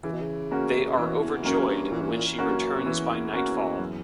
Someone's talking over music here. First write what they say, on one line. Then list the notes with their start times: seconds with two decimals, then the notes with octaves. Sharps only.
They are overjoyed when she returns by nightfall.
0.03 C#3 E3
0.13 B2
0.21 C#3
0.51 A#3 C#4 F#4
0.97 B2 E3
1.21 E2
1.44 F#2 A#3 C#4 F#4
1.69 G2
1.91 A#2 E3
2.01 G2
2.11 A#2
2.38 A#3 C#4 F#4
2.48 G2
2.55 F#2
2.85 E2 E3
3.33 A#3 C#4 F#4
3.79 F#2